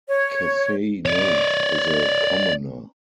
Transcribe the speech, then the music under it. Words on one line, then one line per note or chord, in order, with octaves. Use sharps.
Kessai Note is a commoner.
C#5
C#5 D5